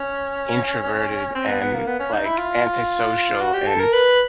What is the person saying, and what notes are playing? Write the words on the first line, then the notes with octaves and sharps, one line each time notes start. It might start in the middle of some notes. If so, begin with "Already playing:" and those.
introverted and, like, antisocial and
Already playing: C#4
C4
B3
B3
A#3
B3
C#4
D#4
E4
F4
F#4
G4
A4
A#4
B4